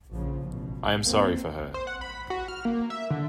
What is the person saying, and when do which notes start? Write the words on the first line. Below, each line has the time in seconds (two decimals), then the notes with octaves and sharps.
I am sorry for her.
0.12 A#1 C#3 F3
0.45 A1 B2
1.04 E2 A#3 C4
1.74 C5
1.87 F#5
2.01 B5
2.30 F#4
2.48 F6
2.65 A#3
2.90 E5
3.10 D3